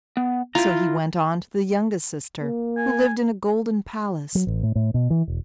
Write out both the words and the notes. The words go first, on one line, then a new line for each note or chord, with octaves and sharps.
So he went on to the youngest sister, who lived in a golden palace.
B3
E4 F4 A#5
A#3
G#5
F#3
A1
A2
A2
B2
E3
E1